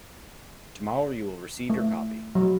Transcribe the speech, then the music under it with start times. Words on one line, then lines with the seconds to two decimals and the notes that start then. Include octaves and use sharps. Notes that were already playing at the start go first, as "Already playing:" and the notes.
Tomorrow you will receive your copy.
1.70 A3
2.35 F#3